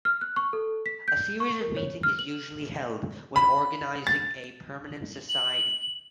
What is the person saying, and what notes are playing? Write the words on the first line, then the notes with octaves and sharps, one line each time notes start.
A series of meetings is usually held when organizing a permanent society.
F6
F#6
C#6
A4
B6
G6
C#6
A#4
C#5
F6
F#7
B5
A6
F#7